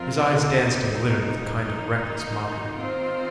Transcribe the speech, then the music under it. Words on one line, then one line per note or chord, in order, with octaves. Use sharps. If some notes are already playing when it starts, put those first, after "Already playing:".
His eyes danced and glittered with a kind of reckless mockery.
Already playing: F2 F3 C4 F4 A#4
D#2 D#3 A#3 D#4
D#3 A#3 D#4
D#3 C4 F4 C5